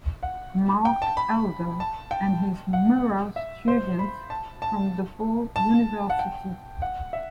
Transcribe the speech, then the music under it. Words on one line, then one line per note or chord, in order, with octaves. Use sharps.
Mark Elder and his mural students from DePaul University.
F#5
G5
A5
B5
A5
G5
F#5
E5
C5
B5
A5
A5
A5
F#5
G5
F#5
E5